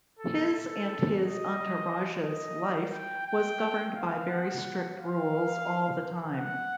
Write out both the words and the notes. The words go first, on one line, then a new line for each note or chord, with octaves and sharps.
His and his entourage's life was governed by very strict rules all the time.
A4
A4
D#5
D#5
G5
G5
F5
F#5
F5
F#5